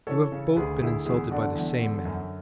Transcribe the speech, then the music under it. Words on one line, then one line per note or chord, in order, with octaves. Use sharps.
You have both been insulted by the same man.
E3 A4 C#5
C#3
D2 G#4 B4
D2 E4 G#4
E2 E4 G#4
D3 D4 F#4
E2
D3
F#2